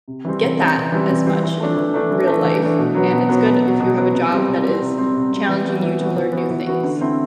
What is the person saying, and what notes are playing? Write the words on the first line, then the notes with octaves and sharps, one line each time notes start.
get that as much in real life, and it's good if you have a job that is challenging you to learn new things.
C3
E3 G3 C4
C3
E3 G3 C4
C3
E3 G3 C4
C3
E3 G3 C4
E3
A3 D4
E3
A3 D4
E3
A3 D4
E3
A3 D4
B2
F#3 B3
B2
F#3 B3
B2
F#3 B3
B2
F#3 B3
C3
G3 C4
C3
G3 C4
C3
G3 C4
C3
G3 C4
E3
B3 F#4
E3
B3 F#4
E3
B3 F#4
E3
B3 F#4
D3
A3 C4 E4